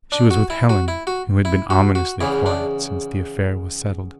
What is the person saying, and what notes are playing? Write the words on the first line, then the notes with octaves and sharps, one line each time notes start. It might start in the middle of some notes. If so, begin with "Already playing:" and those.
She was with Helen, who had been ominously quiet since the affair was settled.
D4
F#4
E4
F#4
E4
F#4
E4
F#4
F#4
E2 C#3 E3 E4
D4